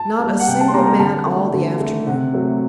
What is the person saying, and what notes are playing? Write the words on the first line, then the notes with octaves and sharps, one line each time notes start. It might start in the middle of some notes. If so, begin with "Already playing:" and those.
Not a single man all the afternoon.
Already playing: A5
G3 A#3
F#5
C3 G5
A5
C6
G3 A#3 A#5
A#5
D3 A5
A3
D3
A3
C3 F#5
F#3 A3